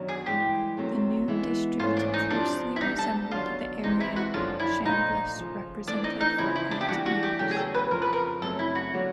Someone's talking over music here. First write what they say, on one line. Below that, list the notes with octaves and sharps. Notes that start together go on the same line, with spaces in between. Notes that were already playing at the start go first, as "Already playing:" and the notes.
The new district closely resembled the area Chambliss represented for eight years.
Already playing: F#2 D#3 F#3 B3 D4
G#4
G2 E3 G#3 G4
C3 D#3 F#3 A3 C4
E3 G#3 B3 E4
G#2 E3 A3 C#4 F4
D4
D#4
F2 C3 F3 D4
E4
D2 D3 G3 B3 D4 D#4
A4
D#2 D3 F#3 B3 D4 F4
C3 E3 G#3 D#4
E4
F#4
F#2 D3 F3 A#3 D4 F4
E4
A#2 F3 A3 D4 D#4 F4
D#2 C#3 F3
E3 A3 C4 D4
D#4
D#4
E2 C#3 F3 E4
E4
D4
G4
E3 G3 A#3 D4 F#4
F#4
G4
E2 C#3 F#3 A3 G4
G#4
A4
B4
F2 C#3 F3 A#4
B4
A#4
F#2 C#3 F#3 A3 C4 A4
E4
F#4
D3 F#3 A#3